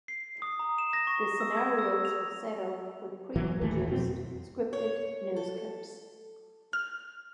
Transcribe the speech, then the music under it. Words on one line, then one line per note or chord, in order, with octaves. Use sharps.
The scenarios were set up with pre-produced scripted news clips.
C7
D#6
A#5
E7
A#6
C#6
E6
G#6
E6
F7
A#2 E3 F#3
D1 D#2 E3 A3
F2 B2 C4
C#5
A4
F6